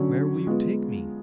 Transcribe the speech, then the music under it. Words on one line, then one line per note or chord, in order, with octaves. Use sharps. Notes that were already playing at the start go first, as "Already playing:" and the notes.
"Where will you take me?"
Already playing: D3 F#3 C#4
G#3 B3 F4